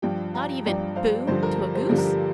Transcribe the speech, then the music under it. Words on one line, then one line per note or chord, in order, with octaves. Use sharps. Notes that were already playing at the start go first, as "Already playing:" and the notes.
"Not even boo' to a goose?"
G2 F3 D5 G5
F5 A#5
G2 F3 D5 G5
C5 F5
G2 D3 F3 G4 C5
A#4
G4
G4 C5
G2 D3 F3 G4
A#4
G4